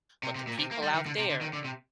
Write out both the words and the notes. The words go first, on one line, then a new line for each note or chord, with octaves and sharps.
But the people out there
C3
C3
A#2
C3
A#3
G3
D#3
D3
C3
D3
D#3
D3
C3